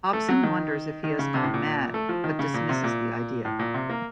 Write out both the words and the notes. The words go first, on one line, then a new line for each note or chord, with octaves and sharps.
Hobson wonders if he has gone mad, but dismisses the idea.
A3
F#3
D#3
D#3
C#3
C3
A2
A#2
A3
F3
D#3
C#3
A#2
C3
A#2
A2
A#2
C3
A#3